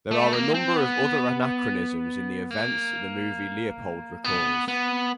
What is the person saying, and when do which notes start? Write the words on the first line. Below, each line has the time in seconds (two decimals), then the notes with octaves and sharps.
There are a number of other anachronisms in the events the movie Leopold recalls.
0.11 A3
0.33 A#3
0.54 C4
0.76 B3
2.51 A#3
4.24 B3
4.68 B3